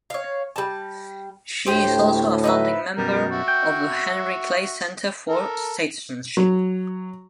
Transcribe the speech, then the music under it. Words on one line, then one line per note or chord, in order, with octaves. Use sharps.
She is also a founding member of the Henry Clay Center for Statesmanship.
C#5 F5
G3 A5
D2 A2 G4 C5
D#4 B4 E5
F#2 B2 G3 A#4
F#4 E5
G5
A4 A#4
F#3